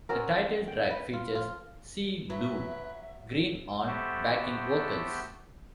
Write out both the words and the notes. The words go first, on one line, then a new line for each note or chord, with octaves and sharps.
The title track features Cee Lo Green on backing vocals.
C4 C#4 F#4 A#4
G5
B4
F4
F3 F4
F#3 B4 E5
A3 B3 F#4 G4 A4 C5